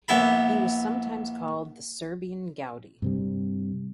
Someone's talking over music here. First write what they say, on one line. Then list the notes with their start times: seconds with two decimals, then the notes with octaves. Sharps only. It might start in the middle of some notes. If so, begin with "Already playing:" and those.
He was sometimes called "the Serbian Gaudi".
0.08 A#1 B3 E4 B5
3.02 G2 C3 G3